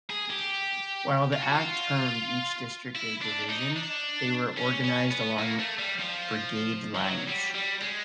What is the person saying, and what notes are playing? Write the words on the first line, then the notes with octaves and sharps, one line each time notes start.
While the act termed each district a "division", they were organized along brigade lines.
G#4
G4
F4
F#4
F4
E4
D4
D#4
D4
C#4
C#4
B3
A#3
A3
G3
F3
F3
F#3
G3
G3
G#3